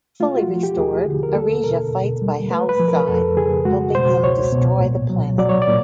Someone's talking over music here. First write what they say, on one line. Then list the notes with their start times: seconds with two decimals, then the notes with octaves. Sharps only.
Fully restored, Arisia fights by Hal's side, helping him destroy the planet.
0.20 A3 F4
0.35 F#4
0.48 F3
0.63 G4
0.77 D#2 G#4
1.06 D3
1.23 A#4
1.35 A#3 A4
1.64 B2 A#4
1.93 B2
2.22 G3
2.51 A3 B4
2.69 B4
2.80 F3
2.88 A#4
3.07 F2 A4
3.37 C#3 G#4
3.65 G#3 F#4
3.94 B2 C5
4.23 C#2 C#5
4.52 B2
4.81 A#2
5.10 F#3
5.38 F#3 D5
5.49 C#5
5.62 D5
5.68 A#2